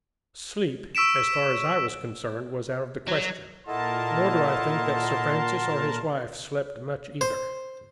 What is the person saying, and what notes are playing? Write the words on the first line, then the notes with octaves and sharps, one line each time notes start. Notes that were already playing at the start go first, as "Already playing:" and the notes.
Sleep, as far as I was concerned, was out of the question, nor do I think that Sir Francis or his wife slept much either.
C#6 E6 B6 D7 E7
F#3
A#2 E4 A4 A#4 D#5 F#5 A5 C6
C5